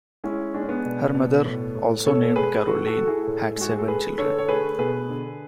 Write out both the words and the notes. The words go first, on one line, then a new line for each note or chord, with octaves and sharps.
Her mother, also named Caroline, had seven children.
G#3 C#4 E4
G#3 D4
C#4
B3 D4
B2
B2
A2
A2
B2 A4 C#5
G#3 G#4 B4
A3 F#4 A4
F#4 A4
A3
E4 G#4
A2
G#3 F#4
G#4
A4
A3 G#4 B4
D3 A4 C#5
C#5
A3 G#4 B4
B2 G#4 B4
D3